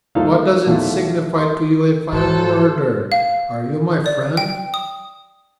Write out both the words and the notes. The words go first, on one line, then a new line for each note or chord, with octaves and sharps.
What does it signify to you if I am murdered? Are you my friend?
C2 F3 A#3 D#4 A4 F5
E2 B2 D#3 F3 A3
C6
G#2 F#3 A4 C5
F5
D5
G5
D#6